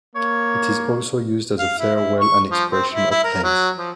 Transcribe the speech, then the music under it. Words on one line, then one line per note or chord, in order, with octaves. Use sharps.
It is also used as a farewell and expression of thanks.
A#3 C#5
F5
E4
E4
C#6
F3
C4
E4
E4
A#4
F#3
F3